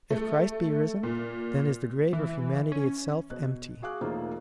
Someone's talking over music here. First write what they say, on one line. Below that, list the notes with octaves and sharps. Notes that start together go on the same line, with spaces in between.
If Christ be risen, then is the grave of humanity itself empty.
A3
A#2
E3
C#4
B2 F#6
F#4 G#4 F5 D6 F#6
E1 A3 A#3 D#4 F4 C5